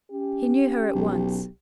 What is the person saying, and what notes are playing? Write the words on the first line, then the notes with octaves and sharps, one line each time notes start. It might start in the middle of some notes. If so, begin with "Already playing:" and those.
He knew her at once.
C#4 G4
B1